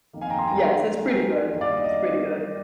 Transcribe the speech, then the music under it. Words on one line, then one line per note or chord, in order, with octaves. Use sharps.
Yes, so, it's pretty good. It's pretty good.
F2 D#3 A#3
F5 G#5
G5 A#5
G#5 C6
G5 A#5
G2 D#3 A#3
D5 F5
D#5
D#5